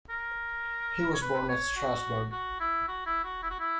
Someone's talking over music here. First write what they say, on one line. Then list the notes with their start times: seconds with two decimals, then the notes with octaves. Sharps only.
He was born at Strasbourg.
0.10 A#4
1.14 C#5
1.22 B4
1.49 C#5
1.76 F#4
2.32 F#4
2.60 E4
2.88 F#4
3.06 E4
3.24 F#4
3.43 E4
3.50 F#4
3.59 E4